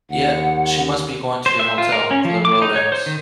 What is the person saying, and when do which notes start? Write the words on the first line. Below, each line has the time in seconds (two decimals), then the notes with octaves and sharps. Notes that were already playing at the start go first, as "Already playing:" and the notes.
Yet she must be going to your hotel, for the road ends.
0.10 D#2 F#5
1.46 C5
1.59 E5
1.78 F4
1.92 A#4
2.11 C#4
2.25 F3
2.45 D6
2.62 D#4
2.76 C#5
2.92 C5
3.06 D#3